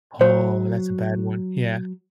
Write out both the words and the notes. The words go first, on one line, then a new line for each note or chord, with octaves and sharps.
Oh, that's a bad one, yeah.
F#3 C5